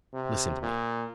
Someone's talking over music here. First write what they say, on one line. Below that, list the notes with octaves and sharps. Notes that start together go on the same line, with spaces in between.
Listen to me.
C3
A#2